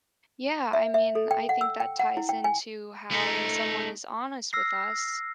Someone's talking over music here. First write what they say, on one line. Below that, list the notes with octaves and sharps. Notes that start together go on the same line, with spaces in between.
Yeah, I mean I think that ties into how when someone is honest with us,
E5
E5
A4
G5
F#5
E6
G5
F#5
E4
G5
G#5
A3 D#4
E6 F6 A#6 C7